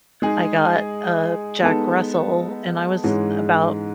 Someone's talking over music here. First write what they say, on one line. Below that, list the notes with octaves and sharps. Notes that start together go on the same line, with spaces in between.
I got a Jack Russell and I was about,
G#3 D#4 G#4
G#3 B3 D#4 A4
G#2 E3 G#3 C#4